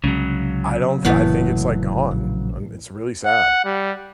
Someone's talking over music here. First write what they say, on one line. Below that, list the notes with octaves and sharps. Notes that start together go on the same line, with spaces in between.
I don't th I think it's like gone, and it's really sad.
C2 C#3 F#3 G#3 C#4
F1 A2 E3 A#3 B3
A#1
F#5
G3